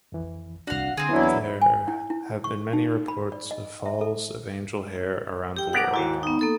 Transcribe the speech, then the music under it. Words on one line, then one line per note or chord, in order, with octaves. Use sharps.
There have been many reports of falls of angel hair around the world.
F2 E3
C2 D4 F#4 F5
D3 C4 G#4
E2 F#3 B3 D4 E4
G#5
E4
E4
C#6
D#4
B5
D5
D#5
E5
A4
G4 G5
B3 G4 A#4 F#5 D6
D#2 G#2 E4 F#4
B3 D#4
A#3 A4 D#6